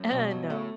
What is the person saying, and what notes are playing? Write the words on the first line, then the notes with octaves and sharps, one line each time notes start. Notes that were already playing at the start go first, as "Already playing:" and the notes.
Eh, no.
Already playing: F#2
B2
G2 F#3
A2 A3